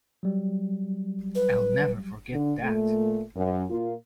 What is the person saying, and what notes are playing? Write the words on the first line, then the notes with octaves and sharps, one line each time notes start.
I'll never forget that.
F#3 G3
B4
D3
A#2 A3
F#2
A#2 A#3 F4